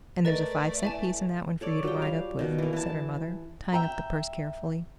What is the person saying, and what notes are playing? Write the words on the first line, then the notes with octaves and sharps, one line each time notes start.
"And there's a five-cent piece in that one for you to ride up with," said her mother, tying up the purse carefully.
A3 A#4 B4 D5 D#5 A6
E4 E5 G#5 A5
A4 C#5 D5
F#3 G3 F4 G5
F5
B2 D#3
E3 A#3
E3 A5
E5 G5 A#5